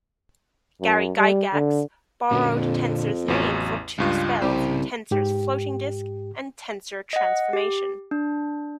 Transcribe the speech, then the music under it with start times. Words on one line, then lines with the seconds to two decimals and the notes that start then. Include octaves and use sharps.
Gary Gygax "borrowed" Tenser's name for two spells, "Tenser's floating disc" and "Tenser's transformation".
0.81 F#2
1.17 G3
1.53 D3
2.31 F#2 A#2 D3
2.57 F2
3.28 A1 E2 F#3
3.98 C#2 G2 G#3 F4
4.42 C2 C#3 G4 C5
5.11 G#2 G4
7.13 D#5 F#5
7.53 G4
8.11 D4